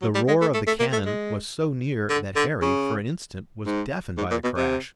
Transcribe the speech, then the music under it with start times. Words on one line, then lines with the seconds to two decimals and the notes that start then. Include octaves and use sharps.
The roar of the cannon was so near that Harry, for an instant, was deafened by the crash.
0.02 F#3
0.15 G3
0.28 G#3
0.41 A3
0.54 A3
0.67 A3
0.80 A#3
0.93 A3
1.06 G#3
2.10 D3
2.36 D3
2.62 C#3
3.66 G#2
4.18 G#2
4.31 A#2
4.44 B2
4.57 C3